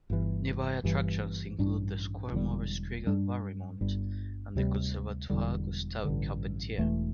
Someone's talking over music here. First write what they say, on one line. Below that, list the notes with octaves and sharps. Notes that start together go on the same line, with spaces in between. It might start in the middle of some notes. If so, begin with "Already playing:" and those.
Nearby attractions include the Square Maurice Kriegel-Valrimont and the Conservatoire Gustave Charpentier.
G1 G2 E3
G1 G2 E3
A1 G2 G3 D4
E1 E2 D3 G3
G2 G3 D4
G1 G2 G3
D2 C3 G3
E1 E2 D3 G3
A1 G2 D3
E1 E2 E3 A3